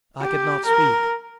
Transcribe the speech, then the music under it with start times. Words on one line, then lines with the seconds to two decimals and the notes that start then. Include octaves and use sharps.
I could not speak.
0.21 G4
0.65 A#4